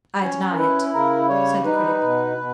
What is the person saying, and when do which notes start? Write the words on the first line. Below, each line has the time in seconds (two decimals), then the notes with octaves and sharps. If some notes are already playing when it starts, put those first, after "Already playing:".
"I deny it," said the Critic.
0.22 C#4 C#5
0.53 A#4
0.58 E4 B4
0.93 C#3 A#4
1.29 G3 C#5
1.65 D#4 B4
2.02 B2
2.38 B2